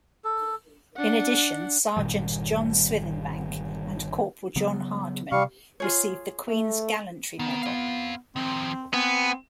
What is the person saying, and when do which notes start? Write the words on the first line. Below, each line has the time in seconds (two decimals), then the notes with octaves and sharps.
In addition, Sergeant John Swithenbank and Corporal John Hardman received the Queen's Gallantry Medal.
0.24 A4
0.96 D4 F#5
1.97 G1 A#2 D#3 G3
4.56 C#3 F#3 B3
5.32 C3 G3 F5 C#6
5.80 F4 G#4 C#5
6.48 A3
7.39 D#3 B3
7.62 C4 F5
8.36 D#3 F3 C4
8.94 B3 C4 G#5